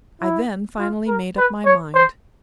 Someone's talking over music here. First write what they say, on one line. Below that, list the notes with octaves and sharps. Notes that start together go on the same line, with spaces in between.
I then finally made up my mind.
E4
F4
A#4
B4
C#5
C5